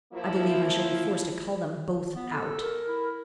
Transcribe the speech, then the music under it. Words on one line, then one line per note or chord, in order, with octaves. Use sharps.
I believe I shall be forced to call them both out.
F3 A#3 E4
B3
A4
A#4
E4